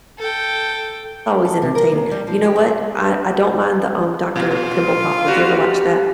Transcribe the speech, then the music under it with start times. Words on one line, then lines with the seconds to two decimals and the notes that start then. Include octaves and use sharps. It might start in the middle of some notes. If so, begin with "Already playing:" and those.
always entertaining. You know what? I I don't mind the, um, Dr. Pimple Popper, do you ever watch that?
0.19 A4 G5
1.45 A4
1.62 C3
1.75 A#4
1.92 D#2
2.11 G3
2.27 F3
2.46 G4
2.59 E5
4.36 A#2 F4
5.27 G3 F#4